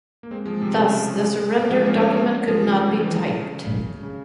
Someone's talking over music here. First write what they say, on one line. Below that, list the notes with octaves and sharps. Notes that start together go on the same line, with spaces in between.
Thus the surrender document could not be typed.
A#3
G#3 C4
F3 G#3
C3
C#3
A#3
F3 G#3
A#3 C#4
A#3 C#4
G#3 C4
F3 G#3
C#3 F3
F3
E3
C#3
C#3